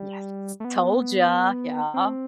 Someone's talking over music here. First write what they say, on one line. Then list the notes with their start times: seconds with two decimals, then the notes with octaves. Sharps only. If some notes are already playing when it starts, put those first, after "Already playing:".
Yes. "Told ya." Yeah.
Already playing: G3
0.60 A3
0.65 B3
1.94 C4